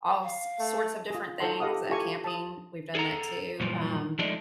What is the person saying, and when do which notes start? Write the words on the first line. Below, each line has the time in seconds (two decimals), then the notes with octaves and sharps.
all s sorts of different things. Uh, camping, we've done that too. Um,
0.23 F5
0.59 A3
1.10 F4 G#4
1.40 D#4 F4 A4 C5 A5 C6
1.60 G4 A4 D#5 F5 F#5 D#6
1.89 E4 F4 G4 A4 G#5 C#6
2.24 A5 D#6
2.95 G#4 A4 C5 F#5 A#5
3.60 F#2 A#2 E3 F3 G3
4.19 F3 G#3 A3 D4 D#4